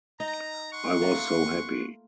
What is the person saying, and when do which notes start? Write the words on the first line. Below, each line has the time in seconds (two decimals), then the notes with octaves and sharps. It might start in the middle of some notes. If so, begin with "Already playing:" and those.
I was so happy.
0.20 D#4 A#5
0.73 F#5 C6 C#6
1.01 A3 A#3 F4